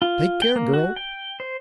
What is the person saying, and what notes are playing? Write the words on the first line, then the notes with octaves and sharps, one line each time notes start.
"Take care, girl!"
F4
G5
A#3
F#4
G5
C5